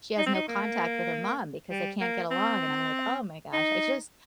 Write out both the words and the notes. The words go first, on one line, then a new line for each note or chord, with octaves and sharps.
she has no contact with her mom because they can't get along, and I'm like, "Oh my gosh," I just
D#4
C4
D#4
A#3
G3
A#3
C4
D#4